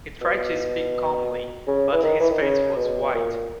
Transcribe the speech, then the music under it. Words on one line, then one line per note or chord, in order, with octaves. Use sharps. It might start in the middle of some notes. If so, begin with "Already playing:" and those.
He tried to speak calmly, but his face was white.
B2
C#3
E3
D#3
E3
D#3
C#3
B2
A#2
A#2